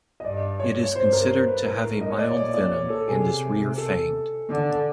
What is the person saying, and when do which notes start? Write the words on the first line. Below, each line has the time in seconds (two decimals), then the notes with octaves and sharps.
It is considered to have a mild venom and is rear-fanged.
0.20 D#5
0.25 G2 D5
0.60 C#5
0.83 C#5
0.95 G2 C5
1.13 A#4
1.30 C5
1.48 B4
1.66 A2 A#4
1.84 A#4
2.01 D#5
2.11 C#5
2.19 D5
2.31 C#5
2.36 A#2 D5
2.54 D5
2.72 C#5
2.90 A4
3.07 C3 G#4
3.78 A4
4.49 D3